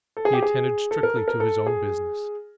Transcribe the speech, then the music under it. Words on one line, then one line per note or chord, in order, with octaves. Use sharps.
He attended strictly to his own business.
A4
G#4
G4
G#4
A4
A#4
A4
A#4
A4
G#4